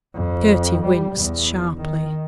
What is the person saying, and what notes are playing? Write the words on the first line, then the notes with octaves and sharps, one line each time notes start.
Gerty winced sharply.
F2
G3
E2
D#3